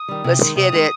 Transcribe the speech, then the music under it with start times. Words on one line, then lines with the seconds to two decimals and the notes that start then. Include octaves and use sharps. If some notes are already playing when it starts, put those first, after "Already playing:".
let's hit it,"
Already playing: D#6
0.08 D#3 G3
0.24 C3
0.40 D#3 G#3
0.56 C3 D#6
0.72 D#3 G#3